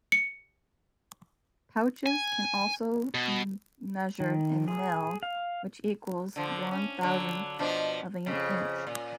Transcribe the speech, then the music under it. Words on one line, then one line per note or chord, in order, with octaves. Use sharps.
Pouches can also measured in mil, which equals one thousandth of an inch.
C#7
G#5
B2
D#3
G#4
F5
D3 F3
C#4
D3 F#3
B2 F3 D4
F2 C#3
A#2